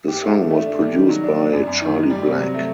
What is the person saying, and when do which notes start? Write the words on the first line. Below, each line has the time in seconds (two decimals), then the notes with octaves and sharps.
The song was produced by Charlie Black.
0.08 G4
0.22 A3
0.36 D3
0.50 A3
0.66 D4
0.80 G3
0.94 D#3
1.10 F#3
1.24 D4
1.37 D4
1.52 F#2
1.66 F#2
1.82 D#3
1.95 D#3
2.10 G3
2.25 C3
2.40 F#3
2.54 A3